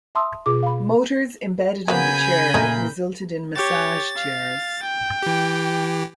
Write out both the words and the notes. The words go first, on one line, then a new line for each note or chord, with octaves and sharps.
Motors embedded in the chair resulted in massage chairs.
E5 A5 C6 D#6 E6
B2 F4 G#4 D6
F5 B5
C#3 F#3 A#3 B3 G#5 B5 G6
A#2 F#3 A3 D#4
G4 C#5 A6
F5
G5
E3 G4